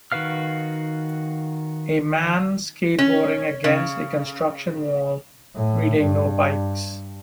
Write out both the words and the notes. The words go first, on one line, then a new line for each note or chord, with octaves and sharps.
A man skateboarding against a construction wall reading No Bikes.
D#3 F#4 B4 F5 F6
C#4
C#3
A2
G2